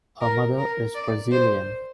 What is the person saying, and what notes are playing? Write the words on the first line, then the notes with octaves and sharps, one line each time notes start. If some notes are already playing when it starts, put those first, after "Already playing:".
Her mother is Brazilian.
A#4
A#4
D5
C5